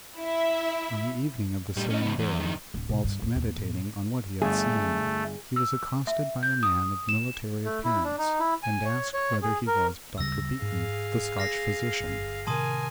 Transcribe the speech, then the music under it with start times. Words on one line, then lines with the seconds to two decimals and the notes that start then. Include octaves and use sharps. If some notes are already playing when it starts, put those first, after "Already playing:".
On the evening of the same day, whilst meditating on what he had seen, he was accosted by a man of military appearance, and asked whether he was Dr. Beaton, the Scotch physician.
0.20 E4 E5
1.77 A2 G3
1.90 C#4 D#5
2.02 C#3 B3
2.19 E2
2.40 F2 D#3
2.74 D1
2.89 B2
3.04 G2 D#3
3.21 E2 F4
3.36 D#2
3.56 A2 B3
4.42 G1 A3 G#4
5.56 E6
6.07 E5
6.43 G6
6.63 D#6
7.09 E7
7.65 A3
7.84 E4
8.04 D4
8.18 D#4
8.40 E4
8.63 G#5
8.85 C#5
9.14 C#5
9.42 G#4
9.67 A#4
10.18 D2 C#3 G3 E6 A#6
10.62 G#2 G#4 F5
11.38 F6 A#6 C7
12.00 G1
12.47 A2 C3 D#3 A#4 G#5 A5 C6 D#6